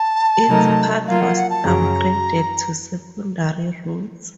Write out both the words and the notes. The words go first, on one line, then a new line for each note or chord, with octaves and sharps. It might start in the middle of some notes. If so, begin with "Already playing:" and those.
Its path was downgraded to secondary roads.
Already playing: A5
C3 F#3 A3 D#4 A#4
F#3 A#3 F4 F5
F#5
F#5
A5
F#2 C#3 F#3 A#5